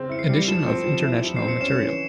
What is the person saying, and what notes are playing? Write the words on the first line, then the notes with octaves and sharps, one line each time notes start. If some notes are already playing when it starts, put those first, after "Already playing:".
Edition of International Material.
Already playing: C#3 C4
E4 C#7
C7
G3
C#7
F3 E7
C4
F3
E4
F3
C7
C4
C#7
C#4 E7
E3